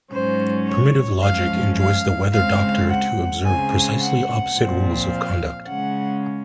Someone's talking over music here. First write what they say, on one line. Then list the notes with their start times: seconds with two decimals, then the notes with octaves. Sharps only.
Primitive logic enjoins the weather-doctor to observe precisely opposite rules of conduct.
0.11 G#2 F#3 C#4 C5
0.66 C#5
1.22 F#2 F3 G#3 C#4 F5
1.77 F5
2.33 C#3 G#3 C4 F5
2.88 F#5
3.44 C#3 G#3 C4 G#5
4.00 F#5
4.55 A#2 F3 C4
5.11 F5
5.66 C#3 G#3 C#4 F#5